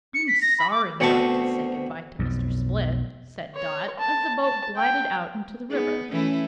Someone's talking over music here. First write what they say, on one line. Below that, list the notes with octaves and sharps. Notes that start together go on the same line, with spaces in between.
"I'm sorry not to say good-bye to Mr. Split," said Dot, as the boat glided out into the river.
C#7
B6
A#6
B5
D6
D2 B2 C4 A5 C#6
B1 F2
C#5
A5
A5
G5
B3 D#4 G#4
E3 A3 C#4 E4